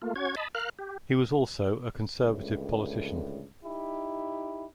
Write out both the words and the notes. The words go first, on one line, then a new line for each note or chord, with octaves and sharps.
He was also a Conservative politician.
A3 A#3 F4
C#4 F#4 C#5 G#6
D#5 A5 B5
A#4 F5 F6 F#6
G4
C#2 A2 D3
D#4 E4 G4